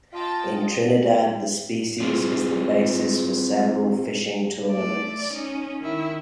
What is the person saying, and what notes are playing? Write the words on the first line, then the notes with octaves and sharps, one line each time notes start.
In Trinidad, the species is the basis for several fishing tournaments.
F4 D#5 G5 A5 A6
C4 F4 G#4
A3 D5
C#4 D#4
D#3 E4